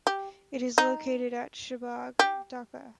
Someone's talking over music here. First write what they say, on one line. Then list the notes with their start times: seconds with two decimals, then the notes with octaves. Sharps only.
It is located at Shahbag, Dhaka.
0.07 G4
0.78 D#4
2.19 G4